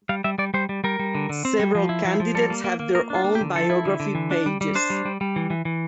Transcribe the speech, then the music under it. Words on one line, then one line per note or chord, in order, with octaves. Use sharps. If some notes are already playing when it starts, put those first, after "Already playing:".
Several candidates have their own biography pages.
G3 F5
G3 E5
G3 D5
G3 C5
G3
G3 A#4
G3
D3
D3
C4
G3
F3
E4
F3
F3
G3 A4
A#3
A#3
A#3
A#3 A#4
D4 F4
A#3
G4
D3
F3 A4
E4
D3
D3
E3
D4
G3
G3
D4 C5
G3
G3
G3
E3
E3
E3